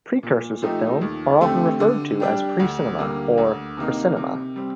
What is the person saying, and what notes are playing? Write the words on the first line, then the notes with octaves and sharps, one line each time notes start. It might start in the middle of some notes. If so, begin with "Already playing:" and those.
Precursors of film are often referred to as pre-cinema, or 'precinema'.
A#2
F3 A3 D#4 G4
D#2
D3 A3 C4 G4
D3
G3 D4 G4
D2
D3 G3 A#3
D2
C3 D#3 A#3 D#4
C3
G3 C4